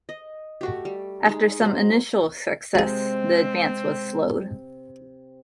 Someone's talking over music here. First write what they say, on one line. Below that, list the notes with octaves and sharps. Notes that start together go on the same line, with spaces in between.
After some initial successes the advance was slowed.
D#5
A3 F#4 G4
G3
G#3 D#4
F#3 G#4 C5
C3 G#3 C4 F#4 G#4